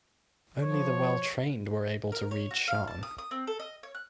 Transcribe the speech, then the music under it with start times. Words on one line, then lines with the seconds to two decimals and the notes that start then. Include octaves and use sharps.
Only the well-trained were able to read Shan.
0.62 F3 C#5
2.12 A#4
2.31 C#5
2.51 F#4
2.68 F5
2.88 A5
3.03 D#6
3.18 D#6
3.31 C4
3.47 A4
3.60 D#5
3.83 C#5
3.95 F#6